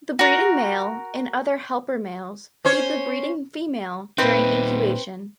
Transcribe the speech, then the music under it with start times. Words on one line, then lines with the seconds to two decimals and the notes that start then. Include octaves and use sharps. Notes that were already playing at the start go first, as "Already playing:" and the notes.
The breeding male and other helper males feed the breeding female during incubation.
0.19 F#4 A#4
2.65 C#4 C5 C#5
4.18 A#2 C4 D#4 B4